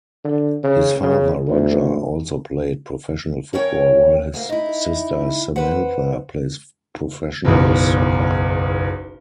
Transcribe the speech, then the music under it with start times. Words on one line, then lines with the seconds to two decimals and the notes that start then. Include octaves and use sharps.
His father Roger also played professional football, while his sister Samantha plays professional soccer.
0.24 D3
0.63 C#3
1.03 C#3
1.48 D2
3.53 F2 C#4 A#4 C#5 G5
4.34 D2 A#3
4.49 D#4 E4
5.56 B4 C5 F#5
7.45 F#1 B1 E2